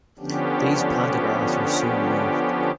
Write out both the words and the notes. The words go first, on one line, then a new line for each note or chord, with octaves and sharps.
These pantographs were soon removed.
D3 F3 B3 C#4 D4 G4